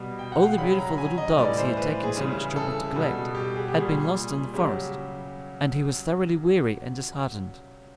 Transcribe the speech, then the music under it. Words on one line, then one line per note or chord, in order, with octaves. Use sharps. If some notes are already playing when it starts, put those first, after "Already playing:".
All the beautiful little dogs he had taken so much trouble to collect had been lost in the forest, and he was thoroughly weary and disheartened.
Already playing: B2 G3
G5
F#5
F5
C#3 F#3 B5
A#5
G#5
D#5
A2 E3 G3 D5
C5
B4
G#4
C#3 E3 G3
A4
B2 G3
G4
G#4
G4
A#2 G3 G#4
C#3 F#3 G4